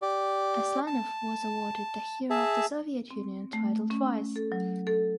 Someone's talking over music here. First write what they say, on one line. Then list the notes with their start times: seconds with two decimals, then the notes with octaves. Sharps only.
Aslanov was awarded the Hero of the Soviet Union title twice.
0.02 G4 D5
0.87 A5
2.30 G#4 E5 A5
3.11 C4
3.53 A3
3.90 C#4
4.36 A4
4.52 F#3
4.87 A4